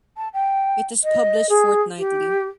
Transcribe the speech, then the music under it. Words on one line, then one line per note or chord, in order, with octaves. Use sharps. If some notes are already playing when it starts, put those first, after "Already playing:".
It is published fortnightly.
A5
G5
D#5
G#4
G4